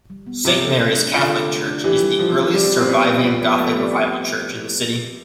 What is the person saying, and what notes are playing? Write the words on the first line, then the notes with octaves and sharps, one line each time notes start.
Saint Mary's Catholic Church is the earliest surviving Gothic revival church in the city.
G3
B3
C3 F4
A4
A3
D4
D3 F4
A4
A3
D4
E3 G4
G3
F3 G3
C4
G3 G4
G3
C4
G3 B3
C4
B3 F4
F3 B3
F3 A3
G3 C4